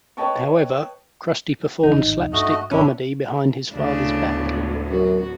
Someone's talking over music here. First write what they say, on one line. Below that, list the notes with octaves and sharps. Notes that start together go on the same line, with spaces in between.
However, Krusty performed slapstick comedy behind his father's back.
B4 C#5 D#5 G5 A5 C#6
F1 A#1 E3 D#4
G#1
C2 F2 C4
G2 A3 D4 F#4 D#5
G#1 B2 C#4 D4 E4
D2 A2 C#3 B3 D4
F#2 F#4